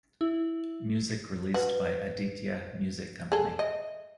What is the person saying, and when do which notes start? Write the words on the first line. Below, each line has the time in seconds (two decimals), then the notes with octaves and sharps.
Music released by Aditya Music Company.
0.21 E4
1.54 F#4 B4
3.32 G#4 A4
3.59 D#5 E5